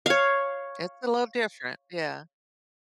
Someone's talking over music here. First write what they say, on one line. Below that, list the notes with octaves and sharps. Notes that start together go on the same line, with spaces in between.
It's a little different, yeah.
C#5 F5